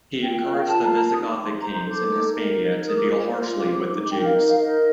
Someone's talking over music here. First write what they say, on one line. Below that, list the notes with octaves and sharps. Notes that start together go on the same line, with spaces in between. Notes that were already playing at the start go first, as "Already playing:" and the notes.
He encouraged the Visigothic kings in Hispania to deal harshly with the Jews.
F4 G5
A#4 D#5
F5
G5
F4 A5
A#5
A#4 A5
D#4 D#6
D6
D#4
C6
C5 A#5
C6
A4
D6
D#4
A#4
D#4
A#4
D#6
F4 D6
C5
F4 C6
D6
C5
D6
D#4 D6
D6
A#4 G5
F5
D#4 D#5
F5
A#4 D#5